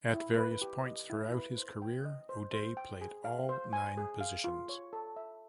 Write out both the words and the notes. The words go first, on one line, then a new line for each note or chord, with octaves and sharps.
At various points throughout his career, O'Day played all nine positions.
E4
B4
G4
D#5
E4
B4
C5
G5
D#5
C5
C5
G5
G#4
F5
C5
G#5
G#4
F5
F4
C#5
A4
E5